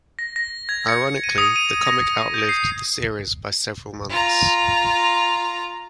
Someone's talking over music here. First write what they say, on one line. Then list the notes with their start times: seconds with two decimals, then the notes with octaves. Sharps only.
Ironically, the comic outlived the series by several months.
0.19 A#6
0.36 A#6
0.69 G#6
0.88 C#7
1.24 D#7
1.38 D#6
1.56 D#7
1.87 A#6
2.34 G6
2.49 C7
4.10 F4 A#5